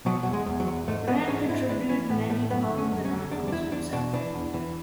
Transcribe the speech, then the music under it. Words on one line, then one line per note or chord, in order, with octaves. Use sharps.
Brand contributed many poems and articles himself.
B2 F#3
F#3
E2
G#3
E2
F#3
E2
G#2 A3
E3 B3
G#2 C#4
D4
G#2 E4
E3 D4
E3 C#4
A2 B3
A2 A3
F#2 B3
D3
C#4
F#2
C#4
D3
E2 D4
D4
E2 E4
E2 D4
B2 D4
E3 D4
E2
E3